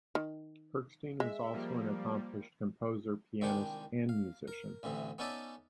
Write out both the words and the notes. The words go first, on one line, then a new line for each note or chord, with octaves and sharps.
Erskine was also an accomplished composer, pianist and musician.
D#3
G#3 E5
F3 G3 A#3
C2 D#3 G#3 D4 G4 G5
F5
A#4
A1 D2 C3 E3
B3 C#4 D#4 A4 D5 E5